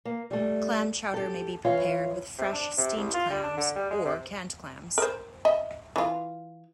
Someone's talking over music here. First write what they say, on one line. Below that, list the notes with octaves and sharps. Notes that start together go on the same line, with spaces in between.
Clam chowder may be prepared with fresh, steamed clams or canned clams.
A#3
G3 A3
G4 A4
E3 F4 C#5 F5
C3
D4
C3
C2
F4
G3
D4
D3
G3
G#3
C3
A#4 C5
D#5 E5
E3 F4